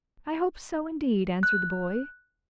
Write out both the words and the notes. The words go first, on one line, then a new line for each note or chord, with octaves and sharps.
'I hope so, indeed,' answered the boy.
F#6